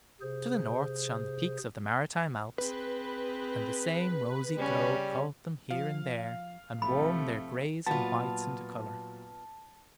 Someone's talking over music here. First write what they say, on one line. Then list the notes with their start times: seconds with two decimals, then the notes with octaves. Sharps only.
To the north shone the peaks of the maritime Alps, and the same rosy glow caught them here and there, and warmed their grays and whites into color.
0.21 C3 G#4 C5
2.58 C4 G#4 B4
4.58 C#3 G3 C#4
5.71 F3 F5
6.82 A1 C3 F3 A3 B5
7.86 A#2 F#3 B3 F4 A5